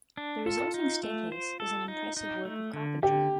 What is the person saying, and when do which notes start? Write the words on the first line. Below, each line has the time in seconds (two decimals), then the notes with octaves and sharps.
The resulting staircase is an impressive work of carpentry.
0.17 D4
0.46 F4 A4
0.74 D#4
1.03 A3
1.32 C5
1.60 A4
1.88 D#4
2.17 D#4
2.45 A3
2.73 D3
3.02 D3 G4